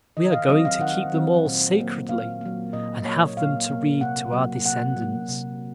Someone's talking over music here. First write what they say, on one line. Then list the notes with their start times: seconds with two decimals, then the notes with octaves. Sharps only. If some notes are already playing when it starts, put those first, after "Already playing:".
We are going to keep them all sacredly and have them to read to our descendants.
0.17 D#3 D#5
0.27 D#5
0.32 F5
0.49 F#3 C4 D#5
0.65 F5
0.80 D#3 F#5
1.13 F#3 C4
1.45 A#2
1.77 F#3 A#3
2.09 A#2 F5
2.41 F#3 A#3
2.73 A#2 D#5
3.05 F#3 A#3 C#5
3.37 A#2 F5
3.69 F#3 A#3
4.01 C3 F#5
4.32 F#3
4.37 A#3
4.65 C3 F#5
4.97 F#3 A#3
5.29 C3